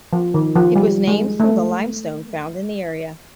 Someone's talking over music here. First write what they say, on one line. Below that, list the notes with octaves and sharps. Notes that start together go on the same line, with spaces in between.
It was named from the limestone found in the area.
F3
D#3
F3
G3
G#3
A3